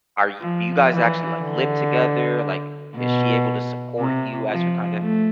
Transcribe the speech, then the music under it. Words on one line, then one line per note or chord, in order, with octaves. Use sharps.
are y do you guys actually, like, live together? Like, is she able to support you as your kinda
F3
E3
D3
B2
C3
F3
A3